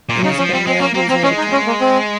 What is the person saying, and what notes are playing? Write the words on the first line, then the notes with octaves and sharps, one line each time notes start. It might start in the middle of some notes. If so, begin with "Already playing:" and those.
In Hispania he was made a count.
A#2
C#3 D#4
F3 C#4
G3 C4
G#3 C4
A#3 C#4
A#3 C4
A#3 C4
G#3 C#4
D#4
C#4
A#3
C4